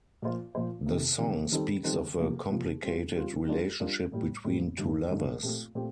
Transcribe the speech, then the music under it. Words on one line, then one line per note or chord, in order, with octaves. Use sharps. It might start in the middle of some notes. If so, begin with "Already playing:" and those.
The song speaks of a complicated relationship between two lovers.
A#2 F3 A#3 F4 C5
A#2 F3 A#3 F4 C5
C3 D#3 A#3
C3 D#3 A#3
D#3 G3 C4 D#4 A4
D#3 G3 C4 D#4 A4
C3 F3 A#3
C3 F3 A#3
G3 C4 F4
G3 C4 F4
G3 D4 F4 A#4
G3 D4 F4 A#4
A2 G3 A#3
A2 G3 A#3
G2 D3 A3 D#4
G2 D3 A3 D#4
A#2 A3 C4 G4
A#2 A3 C4 G4